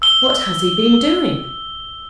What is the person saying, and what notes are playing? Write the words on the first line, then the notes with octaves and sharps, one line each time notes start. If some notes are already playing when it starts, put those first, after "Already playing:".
What has he been doing?
E6 G7